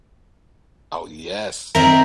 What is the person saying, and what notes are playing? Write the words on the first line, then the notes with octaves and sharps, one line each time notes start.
Oh, yes.
D#3 C4 A#4 E5